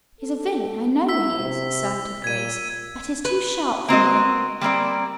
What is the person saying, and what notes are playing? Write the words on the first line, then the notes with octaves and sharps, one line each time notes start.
"He's a villain, I know he is," asserted Grace, "but he's too sharp for me."
A4
E4 E6 B6
C3
A#2 G#6 D#7
B4
A#3 C4 F#4 D#5
G3 A#3 C4 D5